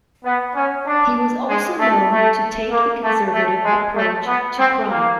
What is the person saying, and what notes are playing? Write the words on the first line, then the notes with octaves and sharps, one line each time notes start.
He was also known to take a conservative approach to crime.
B3
C#4
D4
G#3
A3
A3
A#3
A3
A3
G#3
A3
B3
C4
A#3